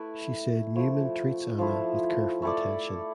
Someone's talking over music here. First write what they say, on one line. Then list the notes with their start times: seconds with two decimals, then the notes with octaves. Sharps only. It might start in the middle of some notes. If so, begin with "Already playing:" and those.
She said Newman treats Anna with "careful attention".
Already playing: A3 E4 B4
0.75 F3 A3 E4
1.58 F3 A3 E4
2.42 A3 E4 A4 D5